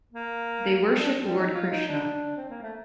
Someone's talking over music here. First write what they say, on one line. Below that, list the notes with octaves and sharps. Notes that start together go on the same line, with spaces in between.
They worship Lord Krishna.
A#3
C4
D4
G3
D#4
F4
D#4
D4
C4
A#3
A3